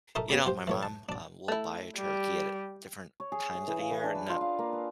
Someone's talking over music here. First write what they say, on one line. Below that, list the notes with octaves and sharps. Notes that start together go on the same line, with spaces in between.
You know, my mom, uh, will buy a turkey at different times of the year, not
D#4 A4 A#4 D#5 E5 C#6
B3 G4 D5 B5
F4 G4 C5
E3 A3 C#5
A5
D4 D5
A3 E4
G3
C#5
G#4
E5
E3
F5
E3
D4
B4
F4
F5
A#3
B4